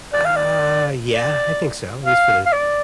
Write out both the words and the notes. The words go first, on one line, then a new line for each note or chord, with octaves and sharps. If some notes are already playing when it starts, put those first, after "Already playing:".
Uh, yeah, I think so, at least for the
D5
F5
D5
D5
F5
F5
D5